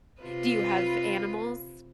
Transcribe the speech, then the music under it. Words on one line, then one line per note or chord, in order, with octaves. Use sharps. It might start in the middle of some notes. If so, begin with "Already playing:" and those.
Do you have animals?
C3 F4 B4